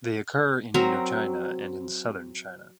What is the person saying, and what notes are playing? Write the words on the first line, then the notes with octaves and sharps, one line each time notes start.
They occur in Indochina and in southern China.
F#3 C4 A#4 A#5